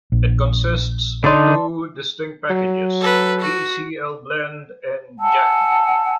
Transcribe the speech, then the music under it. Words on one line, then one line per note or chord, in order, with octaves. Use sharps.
It consists of two distinct packages, Tcl Blend and Jacl.
A#1
D3 D#4 D5 A5 C6
F#3
A4 B4
F#4
F#5 G#5 A5 E6